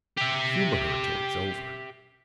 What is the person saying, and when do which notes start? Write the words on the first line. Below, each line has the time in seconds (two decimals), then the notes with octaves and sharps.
Humour her till it's over.
0.17 G4 E5